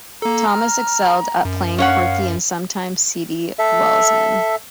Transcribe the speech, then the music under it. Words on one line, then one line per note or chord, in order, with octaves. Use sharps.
Thomas excelled at playing quirky and sometimes seedy Welshmen.
A#3 A4 A#5
F6
F#2
C#4 C#5 F5 F#5
A4 E5